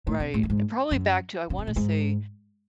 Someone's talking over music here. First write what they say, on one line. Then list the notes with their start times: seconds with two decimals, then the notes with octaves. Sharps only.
Right, probably back to I wanna say,
0.07 A2
0.20 C3
0.34 A2
0.43 F#2
0.50 G#2
0.91 F#2
1.50 C#3
1.58 C3
1.67 A2
1.76 G#2